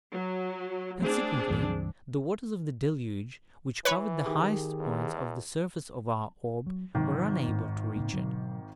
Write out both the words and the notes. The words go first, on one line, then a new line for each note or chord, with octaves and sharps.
Consequently, the waters of the Deluge, which covered the highest points of the surface of our orb, were unable to reach it.
F#3
A3 C4 D4 G#4
C#2 G2 E3
E3 B4 C#5 B5
D#3 G4 G#4
E2
F#3
G#1 C3 D#3 F#3
G#2
A2 C#3 A#3
B2 D3 F#3